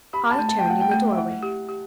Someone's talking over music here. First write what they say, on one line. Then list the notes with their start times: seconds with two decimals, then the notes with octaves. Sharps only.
I turned in the doorway.
0.13 G4 B5
0.31 A5
0.39 A3
0.49 A5
0.59 G5
0.65 A3 F#5
0.81 G5
0.92 A3
1.12 E5
1.17 E4 F#5
1.43 G4
1.69 G4